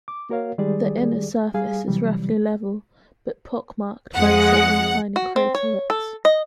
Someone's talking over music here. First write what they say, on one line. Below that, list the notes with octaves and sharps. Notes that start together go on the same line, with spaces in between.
The inner surface is roughly level, but pock-marked by several tiny craterlets.
D6
A#3 F#4 A#4 C#5 F5
D#3 G3 G#3 G4 G#4 D5
G3 G#4 F5 G#5
C3 E3 F#3 G3
F2 G#3 F#5
F#4
C4
C#5
A4
D#5